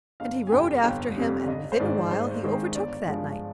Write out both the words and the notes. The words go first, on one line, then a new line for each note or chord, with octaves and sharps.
And he rode after him, and within a while he overtook that knight.
G1 F5
G#5
F2 C3 G3 G5
F5
G1 G5
F2 C3 G3
G#1 D#5
C5
G#2 D#3 G#3 D5
G#1 C5
G#2 D#3 G#3
G1 D5
G2 F3 G#3